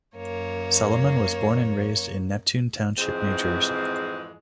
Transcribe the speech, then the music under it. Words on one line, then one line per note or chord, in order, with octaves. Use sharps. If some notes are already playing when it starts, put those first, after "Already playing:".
Salomon was born and raised in Neptune Township, New Jersey.
F#2 A#3 C#5
F2 G#2 E3 G#3 C4 G#4